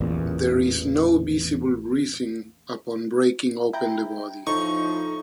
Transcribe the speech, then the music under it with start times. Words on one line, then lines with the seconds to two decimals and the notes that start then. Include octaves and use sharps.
There is no visible bruising upon breaking open the body.
0.01 A1 E2 A#2
3.73 E4 G5 A#5
4.47 A2 F3 D#4 C#6